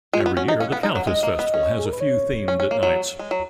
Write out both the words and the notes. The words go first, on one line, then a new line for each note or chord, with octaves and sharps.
Every year the Callatis Festival has a few themed nights.
G#3 F4
C#4
B3
C#4 F#4
D#4
D#5
C#4 F5
F#5
B3
F5
D#4
F#3 F#5
G#3 D#5
A#3
B3
C#4
G#4
A#4
B4
C#5
C#4
C#4
A#3
F#3
G#3
F#3